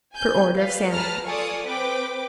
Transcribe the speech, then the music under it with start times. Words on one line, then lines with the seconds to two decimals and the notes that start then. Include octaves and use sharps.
Per order of Santa Claus.
0.13 G#5 G6
0.54 B4 F5
0.91 G#4 B4 A5 A#5 F6
1.23 F4 A4 D5 G#5 C#6 D#6
1.65 C4 B4 G5 D6